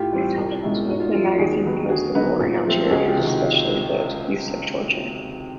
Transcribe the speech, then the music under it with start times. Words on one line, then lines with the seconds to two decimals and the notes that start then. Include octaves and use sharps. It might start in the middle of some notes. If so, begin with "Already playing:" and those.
The magazine opposed the war in Algeria, and especially the use of torture.
Already playing: A2 F4 G4
0.12 E3 G3 C4
0.37 C2
0.62 B2 G#3 C#4 E4
0.87 G#2 F#4
1.00 F4
1.13 F3 A3 F4
1.25 F#4
1.38 D#2 F#4 G#4
1.64 D#3 F#3 B3
1.89 D2 F#4 G#4
2.15 D3 F#3 B3 D#4
2.40 A#2
2.65 F3 A3 C4
2.85 A4
2.90 C#2 F#4 G#4
3.07 F4 G4
3.17 C3 D#3
3.24 F#4